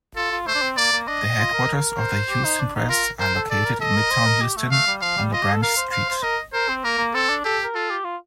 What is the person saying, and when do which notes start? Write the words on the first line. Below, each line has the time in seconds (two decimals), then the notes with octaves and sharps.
The headquarters of the "Houston Press" are located in Midtown Houston on LaBranch Street.
0.16 F4 A4
0.32 F4
0.47 A3 C5
0.55 D4
0.62 C4
0.77 A#3 D5
0.93 A#3
1.08 D4 D#5
1.38 F4
1.53 A#4
1.99 C5
2.29 G4
2.44 D#4
2.59 D4
2.75 D#4
2.89 F4 A#4
3.19 A#4 C5
3.35 A4
3.50 A4 D5
3.65 A#4
3.80 A4 D#5
3.96 A#4
4.11 C5
4.26 A#4
4.41 G4
4.57 A3
4.71 A3 F5
4.87 G3
5.01 F3 F5
5.17 G3
5.33 F4 D#5
5.42 G4
5.53 A4
5.63 A#4 F5
5.77 C5
5.92 F5
6.10 C5
6.23 A#4 D#5
6.53 A#4 C5
6.69 C4
6.84 A#3 A#4
6.98 A#3
7.14 C4 A4
7.30 D4
7.45 G4 A4
7.64 A#4
7.75 F4 A4
7.90 G4
8.05 F4